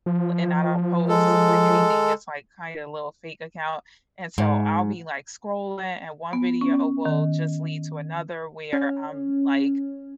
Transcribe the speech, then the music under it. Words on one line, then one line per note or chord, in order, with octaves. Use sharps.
but and I don't post, like, anything, it's like, kinda, a little fake account, and so I'll be, like, scrolling and one video will, just, lead to another where I'm, like,
F3
G#3 A4
G#2
B3
C#4
D#3
C#4